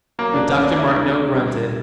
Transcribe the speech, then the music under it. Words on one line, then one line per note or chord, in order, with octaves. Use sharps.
But Dr. Martineau grunted.
F#3 A#3
D4
D2 C#4
D4
D3 E4
D2
G3